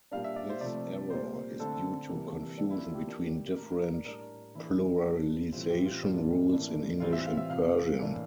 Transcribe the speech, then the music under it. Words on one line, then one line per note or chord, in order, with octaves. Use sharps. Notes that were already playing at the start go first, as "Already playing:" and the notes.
This error is due to confusion between different pluralization rules in English and Persian.
A#2 G3 D4 F5
E5
D5
C5
C3 F3 A3 D5
A#2 G3 A#3 C5
D3 A3 C4 A4
C3 E3 G3 A#3
E3 A#3 D4 G4
E4
F4
G4
E3 A#3 D4
A#2 A3 D4 A#4
A#4
D5
A2 G3 D4 A#4
E3 A#3 D4 E4
A#2 G3 D4
A2 E3 G3 C4 F4
G4
F4
A2 G3 A#3 D4
A2 E3 A#3 D4
A2 E3 G3 C4 F4
E5
F5
E5
C3 F3 C4 F5
A2 E3 A#3 D4